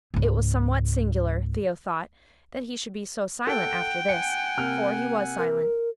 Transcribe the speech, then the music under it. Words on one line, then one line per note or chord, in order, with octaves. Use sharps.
It was somewhat singular, Theo thought, that he should be so silent after this, for he was silent.
C#2 G#2
A4 F#5 G5
F#5 G#5 C#7
C3 A#3 F6
A#4